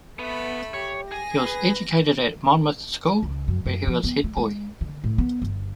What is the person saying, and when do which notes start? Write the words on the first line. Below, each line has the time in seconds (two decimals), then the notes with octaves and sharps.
He was educated at Monmouth School, where he was head boy.
0.19 A3 B3 B5
0.74 G4 C#5
1.11 G#4 G#5 A#6
1.44 B4
3.23 C#2
3.48 F#2
3.66 F#2
3.87 F3
4.04 B3
4.24 A3
4.37 G#3
4.81 D3
5.04 A2
5.18 B3
5.42 G1